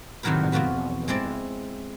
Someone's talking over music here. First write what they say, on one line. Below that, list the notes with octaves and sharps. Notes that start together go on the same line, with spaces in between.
I did not know that.
A2 C3 D#3 F#3 A#4 B4
F2 B2 F4 F#4 B4
G#3 C4 E4 D5